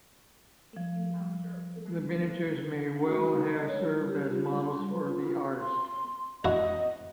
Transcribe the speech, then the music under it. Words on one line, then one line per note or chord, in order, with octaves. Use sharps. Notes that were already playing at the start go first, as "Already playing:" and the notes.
The miniatures may well have served as models for the artist.
F3
F#4
D#4
D#5
C#5
E4
G4
F4
C6
B4
F4
F4
C6
D4 E4 F#4 D#5